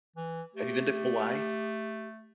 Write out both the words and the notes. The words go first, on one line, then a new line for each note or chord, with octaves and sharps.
Have you been to Kauai?
E3
A3 G4